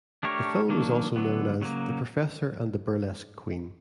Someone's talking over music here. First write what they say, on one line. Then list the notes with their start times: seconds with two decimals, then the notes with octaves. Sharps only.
The film is also known as "The Professor and the Burlesque Queen".
0.23 A3 D4 G4 A#4 C#5
0.69 D#3 F#3 A#3 D4
1.16 D3 F#3 B3
1.61 C#3 F#3 A#3